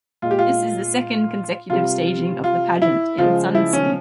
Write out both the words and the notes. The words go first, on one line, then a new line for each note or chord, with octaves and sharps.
This is the second consecutive staging of the pageant in Sun City.
A#2 G#3 F4
G4
F4
C3 G3 F4
F4
E4
C#3 F3 G#3 F4
E4
C#4